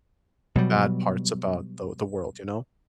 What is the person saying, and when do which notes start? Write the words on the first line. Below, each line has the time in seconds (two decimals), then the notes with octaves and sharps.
bad parts about the the world, you know?
0.55 B2 F#3 G3